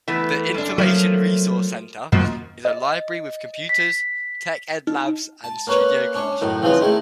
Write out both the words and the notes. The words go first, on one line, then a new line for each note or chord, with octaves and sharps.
The Information Resource Center is a library with computers, tech-ed labs, and studio classrooms.
E3 A3 B3
F#2 D4
F3 F#3 A3 A#3
F#2 D#3 F3 A#3 F#4
D#5
B6
D#4
A5
A#3 C#4 B4 C#5
C#4 D4 C#5
F#2 A2 D#3
C#3 E3 F3 C4 C#4 F4
D#3 G#3 A3 E4